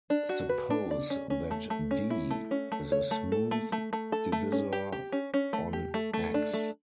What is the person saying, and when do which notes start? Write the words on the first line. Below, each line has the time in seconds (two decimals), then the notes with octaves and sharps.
Suppose that "D" is a smooth divisor on "X".
0.10 D4
0.29 F#4
0.49 B4
0.70 D4
0.91 D5
1.10 C#4
1.30 C#4
1.51 A3
1.70 A3
1.91 C#4
2.10 E4
2.30 A3
2.51 C#4
2.72 A3
2.92 C#5
3.11 A3
3.32 A4
3.51 A3
3.72 A3
3.93 A3
4.12 A4
4.32 A3
4.52 C#4
4.73 G4
4.92 G4
5.12 C#4
5.34 C#4
5.53 A3
5.73 G4
5.94 A3
6.13 A3
6.34 D4
6.54 A3